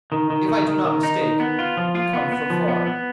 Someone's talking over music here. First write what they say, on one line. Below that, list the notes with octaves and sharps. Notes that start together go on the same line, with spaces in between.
'If I do not mistake, you come from far.
D#3
D#3
D#3
D#3
D#3
D#4
D#3
B3
F4
F3
F4
B3
B3
F3
B3
B3